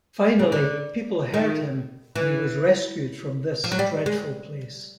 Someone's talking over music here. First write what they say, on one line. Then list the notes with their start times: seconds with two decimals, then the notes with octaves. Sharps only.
Finally people heard him and he was rescued from this dreadful place.
0.39 C#3
0.52 D3
1.34 D#3
2.16 E3
3.64 F3
3.71 F#3
3.79 G3
4.06 G#3